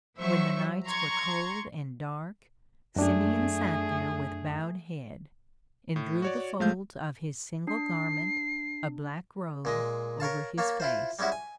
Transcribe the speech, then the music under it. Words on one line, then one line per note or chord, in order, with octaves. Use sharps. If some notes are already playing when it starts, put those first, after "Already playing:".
When the nights were cold and dark, Simeon sat there with bowed head, and drew the folds of his single garment, a black robe, over his face.
F3 F#3 C5 E5 C#6
A#5 C6 C#6 G#6
F#2 A3 D4 G#4
A2
F#4 C#5 D5
A1 G#3 A3 F5 G6
D4 C7
A#2 G#3 D#5
A#4 C#5 F5 A5
A#3 C#5 F5 A5
E4 F4 C5
G3 G#3 C#4 E4 F#4
G#5